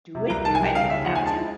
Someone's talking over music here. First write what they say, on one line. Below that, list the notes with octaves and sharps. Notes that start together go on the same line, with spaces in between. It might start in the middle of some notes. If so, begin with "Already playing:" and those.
do it if I didn't have to,
C3
C2 A#5
D#3 A5
G#5
C2
G5
C#3 F5
D#2 E5
F3 F#5
G#5
G#3 A5
F3